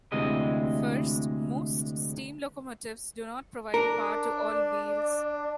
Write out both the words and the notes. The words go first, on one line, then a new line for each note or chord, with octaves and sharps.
First, most steam locomotives do not provide power to all wheels.
D2 C3 E3 G#3 D#5
D4 A#4
D5